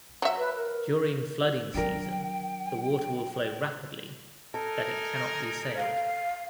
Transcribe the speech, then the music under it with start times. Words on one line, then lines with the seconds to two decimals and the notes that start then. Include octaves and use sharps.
During flooding season the water will flow rapidly that it cannot be sailed.
0.22 F#3 E5
0.37 B4
0.55 A#4
1.74 D#3 F#3 D4 A#4 G5
4.54 D#4 A4 A#4 G#5
5.77 F5